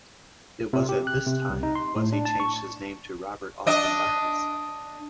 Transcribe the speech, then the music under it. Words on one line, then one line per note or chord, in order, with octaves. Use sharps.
It was at this time was he changed his name to Robert Austin Markus.
C3
G4
F#6
C3
C2
D#4
C6
A2
D4
A5
C#6
D4 D#5